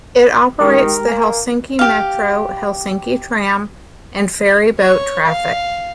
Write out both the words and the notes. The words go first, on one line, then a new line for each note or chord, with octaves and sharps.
It operates the Helsinki metro, Helsinki tram and ferry boat traffic.
D#3 G#3 G4 A#4 G5
A#3 G#5 A#5
G4 F5
C#5
F5